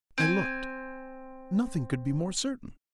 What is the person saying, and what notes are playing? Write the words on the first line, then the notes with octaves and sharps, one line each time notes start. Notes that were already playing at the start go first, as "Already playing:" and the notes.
I looked: nothing could be more certain.
C4 G#5